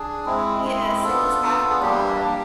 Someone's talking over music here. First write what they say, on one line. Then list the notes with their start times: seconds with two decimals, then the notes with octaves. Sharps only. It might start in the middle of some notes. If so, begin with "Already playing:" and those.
Yes. It was half gone.
Already playing: D4 G#4
0.26 G#3 C4 E4
0.64 G#3 C4 E4 G#4
1.03 B3 D4 F4 A4
1.43 B3 D4 F4
1.70 G#4
1.82 G3 A#3 D4 G4
2.22 G3 A#3 D4